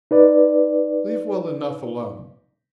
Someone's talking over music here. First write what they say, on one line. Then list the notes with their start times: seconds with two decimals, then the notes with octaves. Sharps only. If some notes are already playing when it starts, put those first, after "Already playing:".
Leave well enough alone.
0.11 D#4 B4 D5